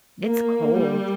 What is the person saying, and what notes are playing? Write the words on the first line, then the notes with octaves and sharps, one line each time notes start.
It's cold.
A#3
G3